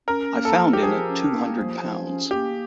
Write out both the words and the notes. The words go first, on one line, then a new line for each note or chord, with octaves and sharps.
I found in it two hundred pounds.
C#4 A#4
A#3
A4
F3
G4
F3 G#4
C#4
A#3
F3
F3
C#4
A#3 G4